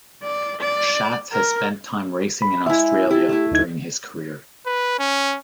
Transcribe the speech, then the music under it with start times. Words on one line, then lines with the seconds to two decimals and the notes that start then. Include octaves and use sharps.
Schatz has spent time racing in Australia during his career.
0.23 D5
0.61 D5
1.33 A#4
2.42 B5
2.66 G#3 E4 E5 G#5
3.11 E4 G4 A4
3.29 A3 E4
3.51 D2 D#4 G#6
4.66 B4
4.99 C#4